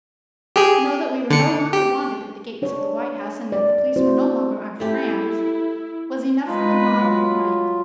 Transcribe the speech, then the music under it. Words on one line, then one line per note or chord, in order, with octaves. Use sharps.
To know that we were no longer wanted at the gates of the White House and that the police were no longer our "friends" was enough for the mob mind.
G4 G#4
D3 C#7
G4
D4 C#5
D5
C4 E4 F#4 C5
A3 E4 G4
G#3 D#4 F4 B4
F#3 F4